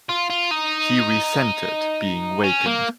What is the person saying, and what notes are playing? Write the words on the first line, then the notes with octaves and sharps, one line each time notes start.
He resented being wakened.
F4
F4
D#4
C#4
A#3